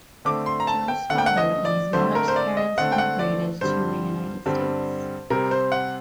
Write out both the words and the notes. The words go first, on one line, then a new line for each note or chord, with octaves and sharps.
Joe's father and his mother's parent's immigrated to the United States.
D3 A3 C4 D6
C6
A#5
A5
G5
D3 A3 C4 F#5
G5
F#5
D#5
D5
D3 A3 C4 C5
A#4
C5
D5
D#5
D3 A3 C4 F#5
G5
F#5
D5
G2 D3 G3 C4 C5
G2 D3 G3 C4
C3 G3 C4 A#4
C5
F#5